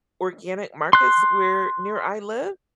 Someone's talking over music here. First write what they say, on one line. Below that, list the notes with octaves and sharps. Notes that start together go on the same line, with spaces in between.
organic markets where near I live,
C6 F#6